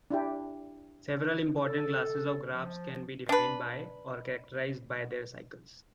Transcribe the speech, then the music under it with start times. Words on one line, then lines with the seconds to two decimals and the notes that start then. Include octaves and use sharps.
Several important classes of graphs can be defined by or characterized by their cycles.
0.11 D4 E4 G4
1.64 A4
2.52 F3
3.29 D4 B4